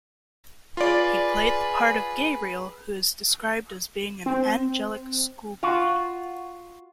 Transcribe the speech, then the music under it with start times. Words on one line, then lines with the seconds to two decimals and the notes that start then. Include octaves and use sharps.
He played the part of Gabriel who is described as being an 'angelic schoolboy'.
0.77 F4 G#4 B4 D5
4.26 C4
5.63 F4 F#4